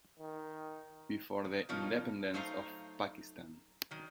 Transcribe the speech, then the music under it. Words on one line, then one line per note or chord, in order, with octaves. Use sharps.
Before the independence of Pakistan.
D#3
D#3
B2 F3 C#4 D#4 F4 A#4
F#3 A3 D#4 C5 F5 A#5
D#3 F#3